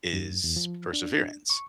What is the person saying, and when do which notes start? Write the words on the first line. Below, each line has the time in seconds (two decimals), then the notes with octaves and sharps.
is perseverance,
0.13 F#2
0.44 E2
0.56 F3
0.93 D4
1.50 C#6